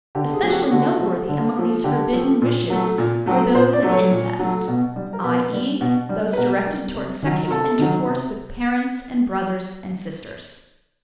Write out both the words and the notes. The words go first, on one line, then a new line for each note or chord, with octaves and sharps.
Especially noteworthy among these forbidden wishes are those of incest, i.e., those directed towards sexual intercourse with parents and brothers and sisters.
D3 G4
G#4
F3 A3 F#4
G4
D3 F#4
F3 A3
D3
F3 A3
D3 G4
F3 A3
A#2
F#3 A3
A#2
F#3 A3
A#2 C5
D5
F#3 A3
C#5
A#2
F#3 A3
B2
G3
A#4
B2 B4
G3
B2
G3
B4
B2 A#4
G3
C3
D#3 F#3
A#4
C3 A4
D#3 F#3
C3